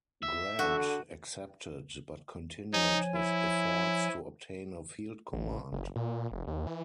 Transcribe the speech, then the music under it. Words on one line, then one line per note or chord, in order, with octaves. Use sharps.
Grant accepted, but continued his efforts to obtain a field command.
E5
D3 F#4
F3 D#4 C#5 G#5
E4
A1
F#1
A#2
F1
D#2
E3